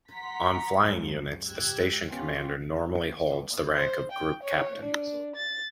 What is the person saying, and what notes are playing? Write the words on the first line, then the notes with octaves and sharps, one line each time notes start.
On flying units the station commander normally holds the rank of group captain.
F#5 A#5 C6 B6
C#2 F#2
C#2 G#2 G4 E6 F#6 G#6
B3 C#4 F4 G4
C5
G5
C#5
D4
A6